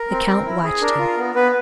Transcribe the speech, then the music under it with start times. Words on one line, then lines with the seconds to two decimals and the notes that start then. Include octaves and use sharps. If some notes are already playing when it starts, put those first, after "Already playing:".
The count watched him.
Already playing: A#4
0.10 C4
0.28 C4
0.46 E4
0.64 G#4
0.81 D4 A#4
0.99 F4
1.17 B3
1.35 B3 B4